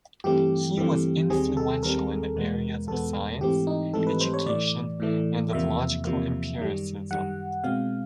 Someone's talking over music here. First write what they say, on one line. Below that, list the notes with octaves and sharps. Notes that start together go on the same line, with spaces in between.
He was influential in the areas of science, education, and of logical empiricism.
G2 E3 A3 C4 G4
G2 E3 A3 C4
D#2 D#3 G3 C4 G#4
A4
D#2 D#3 G3 C4 A#4
E2 B2 G#3 B3
E2 B2 G#3 B3 A4
G#2 E3 A3 C4 G4
D#4
G#2 E3 A3 C4 A4
B4
C5
C#5
A2 E3 A3 D5
A2 E3 A3
E2 C3 F3 A#3 E5
E2 C3 F3 A#3
F#2 D#3 G3
F#2 D#3 G3 F#5
B2 G#3 C4 F5